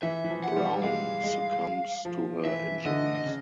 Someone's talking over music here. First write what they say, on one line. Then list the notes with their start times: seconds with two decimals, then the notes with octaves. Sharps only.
Brown succumbs to her injuries.
0.03 E3 E5
0.24 E3
0.30 F3
0.44 F#5
0.56 G3
0.83 G#3 F5
1.23 G#3
2.05 F3
2.45 E3 E5
2.85 D3 D#5
3.15 D#5
3.26 C#3